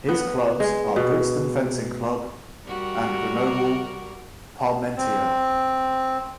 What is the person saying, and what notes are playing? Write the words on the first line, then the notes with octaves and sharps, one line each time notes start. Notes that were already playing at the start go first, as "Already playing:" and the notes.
His clubs are Brixton Fencing Club and Grenoble Parmentier.
B3
G#3
B2
G3 F#4 A#4
C4